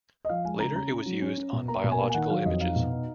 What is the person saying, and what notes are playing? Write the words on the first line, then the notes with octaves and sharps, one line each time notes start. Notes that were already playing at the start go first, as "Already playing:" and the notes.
Later it was used on biological images.
D#5
F3 F5
G#3 G#5
C#3 A#5
C#4 A#5
C#4
F#3
C#4
C#4
B2
A#3 A#5
B2
G#5
A#3
G#5
D#3 F#5
F#3 F5
F2 D#5
D#4 F5
B2
D#4